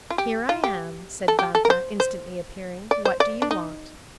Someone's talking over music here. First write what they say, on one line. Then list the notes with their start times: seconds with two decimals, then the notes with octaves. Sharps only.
"Here I am," said Vampa, instantly appearing; "what do you want?"
0.10 F4
0.18 G4
0.49 F4
0.64 G4
1.28 A4
1.39 G4
1.55 A4
1.65 A#4
1.70 C5
2.00 C5
2.91 D5
3.05 C5
3.20 D5
3.42 D4
3.51 D#4